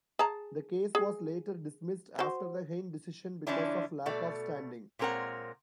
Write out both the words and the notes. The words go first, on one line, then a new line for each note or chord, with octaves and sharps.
The case was later dismissed after the Hein decision because of lack of standing.
G#4 A5 A#5
G#4
F#4 C5
D3 E3 F3 C#4 D4 E4
B2 A3 A4 D5
A#2 G#3 C4 A#4 C#5 F#5